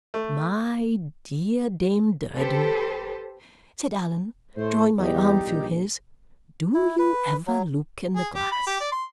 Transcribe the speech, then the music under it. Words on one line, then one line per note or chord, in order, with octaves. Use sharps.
"My dear Dame Durden," said Allan, drawing my arm through his, "do you ever look in the glass?"
A3
G4 A4 B4 C5
A2 A3 C5
E2 G3 D#4 G4
A#1
E4
B4
F#3
G#4
G4
B5
G4
D5
C6